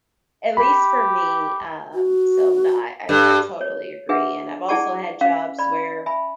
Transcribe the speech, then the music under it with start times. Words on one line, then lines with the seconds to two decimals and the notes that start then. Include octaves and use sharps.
at least for me. Um, so no, I I I totally agree, and I've also had jobs where
0.57 G4 B5
1.94 F#4
3.09 G2 A4
3.61 C#5
4.09 D4 G#4 B4 E5 F#5
4.68 E4 G#4 D5 F#5 A5 C#6
5.21 C#4 F5
5.59 D5 B5
6.06 E5 G#5 B5